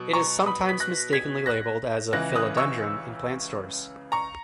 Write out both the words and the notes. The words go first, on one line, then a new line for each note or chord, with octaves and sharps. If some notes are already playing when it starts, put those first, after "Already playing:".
It is sometimes mistakenly labeled as a "Philodendron" in plant stores.
Already playing: B2 F#3
A#5 C#6
B5 D#6
B6
F#6 A#6
G#6 B6
F#6 A#6
C#2 C#3 E3 F#6 A#6
D#6 F#6
C#6 E6
A#5 C#6